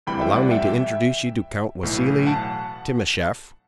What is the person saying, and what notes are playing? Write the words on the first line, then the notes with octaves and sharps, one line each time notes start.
"Allow me to introduce you to Count Wassili Timascheff."
D2 C3 E3 G3 G5 B5
E5 G5
D5 F#5
E5 G5
B1 A2 E3
F#5 A5